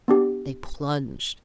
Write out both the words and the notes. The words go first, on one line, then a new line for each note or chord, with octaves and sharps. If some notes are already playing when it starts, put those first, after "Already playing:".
They plunged.
B3 D4 G4